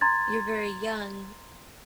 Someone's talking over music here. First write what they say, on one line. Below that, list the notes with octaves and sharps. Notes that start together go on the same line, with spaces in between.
you're very young,
A#5 C6 G#6 A6